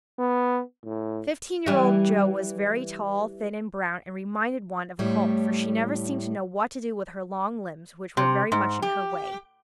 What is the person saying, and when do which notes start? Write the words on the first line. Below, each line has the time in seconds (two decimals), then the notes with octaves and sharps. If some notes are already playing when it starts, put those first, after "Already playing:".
Fifteen-year-old Jo was very tall, thin, and brown, and reminded one of a colt, for she never seemed to know what to do with her long limbs, which were very much in her way.
0.19 B3
0.84 A2
1.66 E3 G3
4.99 A2 G3 A3 C#5
8.17 C3
8.52 G#2
8.82 G4